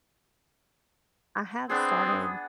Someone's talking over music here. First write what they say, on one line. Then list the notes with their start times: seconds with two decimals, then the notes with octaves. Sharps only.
I have started
1.69 B3 C4 D4 G#4